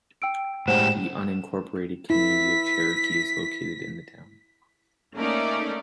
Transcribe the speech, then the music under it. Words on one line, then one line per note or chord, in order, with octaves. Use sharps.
The unincorporated community of Cherokee is located in the town.
G5 E6 D7
A2 G#3 G4 C5 F#5 E7
E4 B6
A3 A#3 C#4 D#4 A#4 D5